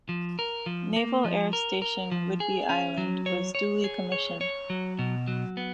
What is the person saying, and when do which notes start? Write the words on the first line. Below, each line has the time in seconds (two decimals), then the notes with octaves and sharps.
Naval Air Station Whidbey Island was duly commissioned.
0.09 F3
0.39 A#4
0.66 F3
0.96 A#3
1.25 F3
1.53 A#4
1.82 A#4
2.11 F3
2.40 G#4
2.69 C#4
2.98 F#3
3.26 C#5
3.55 C#5
3.84 G#4
4.12 C#5
4.41 C#5
4.70 F#3
4.99 B2
5.28 F#3
5.57 B3